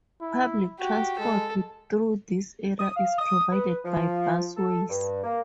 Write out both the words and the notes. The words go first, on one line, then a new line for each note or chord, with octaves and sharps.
Public transport through this area is provided by Busways.
E4
F#4 G4
G#3 A4
D#6
F5
D#6
B4
F3
A4
G2
A#3